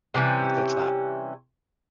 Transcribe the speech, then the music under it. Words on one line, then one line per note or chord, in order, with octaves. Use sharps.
Like that's not
C3 E3 G3 C#4